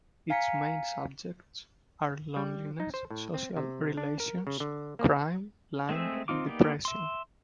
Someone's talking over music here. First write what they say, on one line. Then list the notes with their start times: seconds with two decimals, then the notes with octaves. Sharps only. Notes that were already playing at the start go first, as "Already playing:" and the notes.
Its main subjects are loneliness, social relations, crime, lying and depression.
0.30 F5 G#5 A#5 B6 C#7
2.36 G3
2.80 D#4
2.94 C5
3.11 A2
3.34 C4
3.57 C3
3.97 D4
4.20 A#4
4.47 C#3
4.60 D3
4.99 A#3
5.89 G#3 A3 C4 G#4 E5
6.28 C4 D#4 F4 D6
6.47 A#3 B3 D#4 G4 D5
6.85 E5 C6